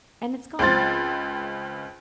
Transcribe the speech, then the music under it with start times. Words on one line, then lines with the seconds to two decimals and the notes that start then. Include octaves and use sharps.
and it's gone."
0.59 C#2 C4 F4 A6